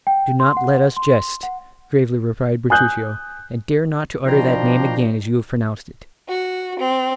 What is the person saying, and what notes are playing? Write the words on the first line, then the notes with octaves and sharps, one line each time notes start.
"Do not let us jest," gravely replied Bertuccio, "and dare not to utter that name again as you have pronounced it."
G5
C6
F#5
C6
F#5
G#5 D#6 F#6 G6
B2 D#3 F3 D4 G5 A#5 C6
F#4
C4